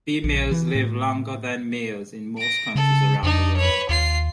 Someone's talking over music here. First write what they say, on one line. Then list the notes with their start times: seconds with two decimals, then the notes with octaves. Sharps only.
Females live longer than males in most countries around the world.
0.24 A#1
0.51 E3
0.75 A2
2.37 A#6 D7
2.75 C#3 A4
3.23 F2 D4 D#4
3.56 B4 C#5
3.89 D#2 F4 C7